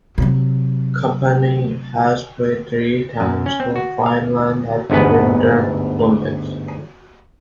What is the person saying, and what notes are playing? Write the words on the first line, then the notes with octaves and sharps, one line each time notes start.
Kapanen has played three times for Finland at the Winter Olympics.
C3 F#3
F#2
C#4
C4
F#4
F5
G1 D2 G#2 B3 B4